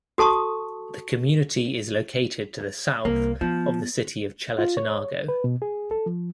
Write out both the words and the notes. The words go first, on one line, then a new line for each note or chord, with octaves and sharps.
The community is located to the south of the city of Chalatenango.
F#4 A4 A5 C#6 D#6
C2 A#3
F3 B3
F4
C#5
B4
B2
G#4
A4
F3